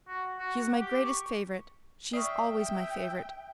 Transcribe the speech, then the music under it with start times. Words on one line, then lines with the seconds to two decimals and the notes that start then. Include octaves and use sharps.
She is my greatest favourite. She is always my favourite.
0.08 F#4
0.39 F#4
0.61 F#5
0.80 G4
1.05 C#6
2.13 D5 E5 G5 C#6 D#6 F6